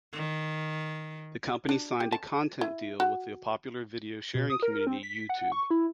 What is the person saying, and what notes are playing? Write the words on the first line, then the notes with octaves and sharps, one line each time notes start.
The company signed a content deal with the popular video sharing community YouTube.
D#3
D4
G4
A5
E4
F#4
B2
D#6
A#4
C4
B6
F#5
C#6
E4